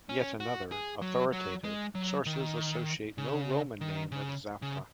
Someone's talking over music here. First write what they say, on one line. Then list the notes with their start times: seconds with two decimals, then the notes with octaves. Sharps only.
Yet other, authoritative, sources associate no Roman name with Zafra.
0.09 C#4
0.40 F#4
0.72 G#4
1.02 F#3
1.33 F#3
1.64 G#3
1.95 F#3
2.26 D#3
3.18 C#3
3.81 D#3
4.12 C#3
4.62 C#3